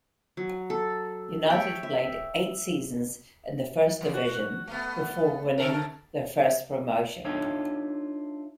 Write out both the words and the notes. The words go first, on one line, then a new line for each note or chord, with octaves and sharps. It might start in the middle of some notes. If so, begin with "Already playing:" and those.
United played eight seasons in the First Division before winning their first promotion.
F#3
A4
C#5 E5 G5
E5
E3
F#4
A3 B3
D3 A4 A#4
D4 D#4 F4 A4 C#5 E5